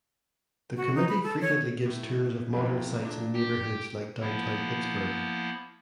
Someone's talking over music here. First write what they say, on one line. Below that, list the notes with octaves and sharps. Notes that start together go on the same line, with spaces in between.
The committee frequently gives tours of modern sites in neighborhoods like Downtown Pittsburgh.
F#4
D#4
B5
A4
C#5
A2
F2 A2 C3
A#2 D4
G4
F3 A#3 B3 E4